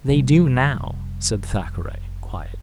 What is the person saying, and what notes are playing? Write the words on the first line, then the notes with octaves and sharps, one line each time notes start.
"They do now," said Thackeray, quietly.
F1 G3